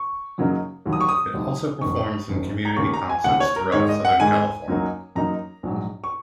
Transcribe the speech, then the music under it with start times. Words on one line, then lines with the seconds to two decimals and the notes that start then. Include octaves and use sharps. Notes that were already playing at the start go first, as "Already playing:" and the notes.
It also performs in community concerts throughout Southern California.
Already playing: C#6
0.38 F#2 C#3 F#3 A#3 D#4
0.86 D#2 D#3 F#3
0.93 D#6
1.01 C#6
1.09 D#6
1.34 D#2 D#3 F#3
1.81 F#1 F#2 D#3 C#6
2.29 F#1 F#2 D#3
2.65 A#5
2.76 D#2 C#3 A#3 C#4 C#6
2.94 A#5
3.09 G#5
3.24 D#2 C#3 A#3 C#4 F#5
3.40 C#5
3.56 A#4
3.72 G#2 D#3 G#3 D#4 C#5
3.89 D#5
4.05 F#5
4.20 G#2 D#3 G#3 D#4 G#5
4.68 F#2 F#3 A#3 D#4
5.15 F#2 F#3 A#3 D#4 A#5
5.63 A#1 G#2 F#3
6.04 C#6